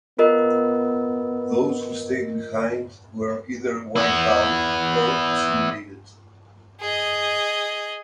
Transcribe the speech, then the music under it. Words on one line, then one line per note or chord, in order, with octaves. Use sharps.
Those who stayed behind were either wiped out or assimilated.
B3 F4 A#4 D#5
B3 E4
G#4 D#5